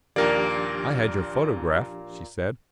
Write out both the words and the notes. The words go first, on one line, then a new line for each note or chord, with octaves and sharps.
"I had your photograph," she said.
D#2 A#2 F3 A#3 D4 G4 A#4 D5